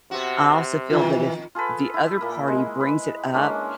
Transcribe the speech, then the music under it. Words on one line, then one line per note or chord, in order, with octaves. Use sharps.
I also feel that if the other party brings it up,
C3 B3 F#4
F2 D#3 E3 F4
F4 G#4 A4 B4
E4
A#2 A#3
G#3
B4
G#3 A#3 C#4 D4